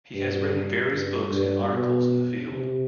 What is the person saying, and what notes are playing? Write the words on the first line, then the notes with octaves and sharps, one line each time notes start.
He has written various books and articles in the field.
G2
G2
G2
B2
C3